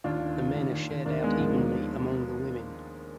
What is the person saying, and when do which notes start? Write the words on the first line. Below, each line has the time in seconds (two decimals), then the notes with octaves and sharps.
The men are shared out evenly among the women.
0.04 D#2 D4 F4
0.21 D#3
0.39 D#3
0.56 D#2
0.72 D#2
0.90 D#2
1.06 D#2 A#3 D4
1.23 D#3 G#3 B3
1.33 A#3
1.40 D#3 F3 G#3
1.57 D#2
1.74 D#3